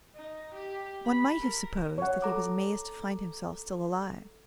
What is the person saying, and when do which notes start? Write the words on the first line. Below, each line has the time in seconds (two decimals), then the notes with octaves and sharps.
One might have supposed that he was amazed to find himself still alive.
0.15 D#4
0.54 G4
1.06 B5
1.43 A#4
1.98 C#5 F#5
2.22 A4 A#5 D6